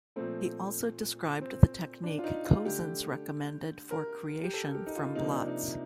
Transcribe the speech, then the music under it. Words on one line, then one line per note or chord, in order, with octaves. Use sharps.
He also described the technique Cozens recommended for creation from blots.
A#2 F3 A3 C4
C4
D4
F4
D#4
F4
D3 A3 G4
A#4
G4
A4
G4
D#4
F4
C3 F3 A#3 D#4
D4
D#4